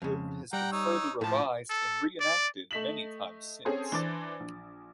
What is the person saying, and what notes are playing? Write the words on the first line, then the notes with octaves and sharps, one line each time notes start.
The Code has been further revised and reenacted many times since.
F2 C#3
G3 F#5 G5 A#5
D#4 C#5 E6
A2 F3 A#3 A5
A4
D5
A3 D#5 B6 E7 F#7
C4 C#4 G#4 A4 C5
E3 D4 C5 D6 A6
A#1